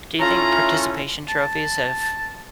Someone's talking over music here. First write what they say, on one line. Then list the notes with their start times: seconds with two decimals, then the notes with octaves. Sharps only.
Do you think participation trophies have
0.19 E3 A3 C#4 F4 A#5
1.29 A5